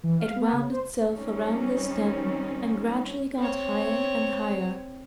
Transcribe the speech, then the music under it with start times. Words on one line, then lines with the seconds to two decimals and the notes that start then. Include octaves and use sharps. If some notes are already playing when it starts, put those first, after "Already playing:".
It wound itself round the stem and gradually got higher and higher.
0.04 E3
0.20 F5
0.36 B3
0.53 C#3
0.70 C5
1.10 D#3 G3 C4 C#4 D#4
3.38 C4 C#5